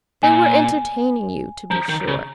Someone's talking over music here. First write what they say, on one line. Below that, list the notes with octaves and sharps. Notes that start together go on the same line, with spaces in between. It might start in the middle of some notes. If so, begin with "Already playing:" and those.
They were entertaining you, to be sure.
A#2 G#5
F3 A#5
D#3
C#3